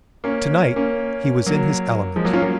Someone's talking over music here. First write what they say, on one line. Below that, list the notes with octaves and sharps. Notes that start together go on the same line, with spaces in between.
To-night he was in his element.
A#3 C#4
A#3 C#4
F#3 A#3
F3 G#3
F#3 A#3
C#4 F4
F#3 A#3